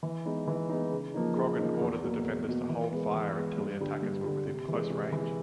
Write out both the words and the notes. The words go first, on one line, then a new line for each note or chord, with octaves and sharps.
Croghan ordered the defenders to hold fire until the attackers were within close range.
E3
G#3 B3 D#4
E3
G#3 B3 D#4
C#3
F3 A#3 D#4
C#3
F3 A#3 D#4
E2
B2 F#3 A#3
E2
B2 F#3 A#3
E3
G#3 B3
E3
G#3 B3
G2
D3 G3
G2
D3 G3
C3
E3 G#3
C3
E3
G#3